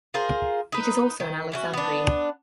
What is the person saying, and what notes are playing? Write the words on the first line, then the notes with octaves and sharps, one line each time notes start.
It is also an alexandrine.
F4 G#4 A#4 C5
D#4 B4
D#3
E3 C#4 F#4
B3 D4